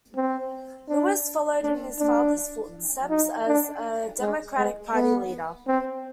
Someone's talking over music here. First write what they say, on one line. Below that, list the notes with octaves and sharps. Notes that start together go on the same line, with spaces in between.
Lewis followed in his father's footsteps as a Democratic Party leader.
C4
D4
D4
D4
D#4
D4
G#3
G#3
B3
C4